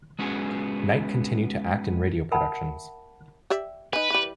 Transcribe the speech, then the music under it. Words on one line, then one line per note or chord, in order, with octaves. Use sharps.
Knight continued to act in radio productions.
G#3 B3 C#4 F#4 G#4
A#4 E5 F#5 G5 A5 B5
G4 D5 E5
D#4 B4 G#5
E3 G3